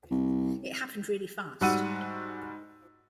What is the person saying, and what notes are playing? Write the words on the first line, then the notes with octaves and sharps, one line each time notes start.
It happened really fast.
C2
G#2 G3 F#4 F#5 E6 D#7